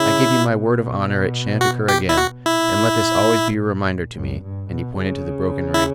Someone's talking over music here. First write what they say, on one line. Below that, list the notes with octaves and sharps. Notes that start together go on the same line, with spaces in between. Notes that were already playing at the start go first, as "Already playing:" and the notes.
"I give you my word of honor it shan't occur again, and let this always be a reminder to me," and he pointed to the broken ring.
Already playing: C#3 E4
B2
F#4
G4
E4
F#4
A#2 E4
F#2
G2
B2
C#3
E4